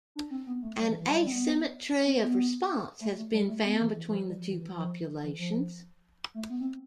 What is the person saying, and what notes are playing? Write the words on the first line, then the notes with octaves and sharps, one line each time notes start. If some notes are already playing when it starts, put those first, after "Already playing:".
An asymmetry of response has been found between the two populations.
D4
C4
B3
A3
G3
E3
E3
G3
G3
C4
B3
C4
B3
A3
A3
G3
A3
B3
E3
E3
E3
F3
G3
F3
E3
E3
F3
E3
F3
A3
B3
C4